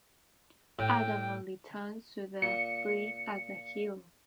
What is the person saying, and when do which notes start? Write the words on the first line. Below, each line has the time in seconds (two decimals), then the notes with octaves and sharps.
Adama returns to the fleet as a hero.
0.79 A2 G5
2.42 A#2 C#7